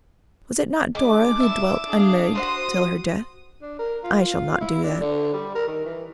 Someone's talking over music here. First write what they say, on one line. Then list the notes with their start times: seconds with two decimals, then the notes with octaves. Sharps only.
Was it not Dora who 'dwelt unmarried till her death?' I shall not do that.
0.95 G#3 D4 D6
1.40 E4 E5 E7
1.89 D4 G#4 F5
2.35 F#4 C5 F#5 C6 D#6
3.62 D4
3.79 A#4
4.04 F4
4.21 F4
4.61 E4
4.84 D4
5.01 D3
5.33 G3
5.55 A#4
5.68 D#3
5.85 E3